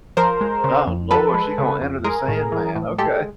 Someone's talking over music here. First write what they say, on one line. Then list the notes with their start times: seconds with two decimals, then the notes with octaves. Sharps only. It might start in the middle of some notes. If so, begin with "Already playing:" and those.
Oh, lord, she gonna Enter the Sandman, okay.
0.17 F3 A#4 C5
0.41 G#3
0.64 C#3
0.87 F2
1.11 F3 A4 B4
1.34 G#3
1.58 C#3
1.81 F2
2.04 G#3 G#4 A#4
2.28 A2
2.52 E3
2.75 A2
2.98 G#3 G4 A4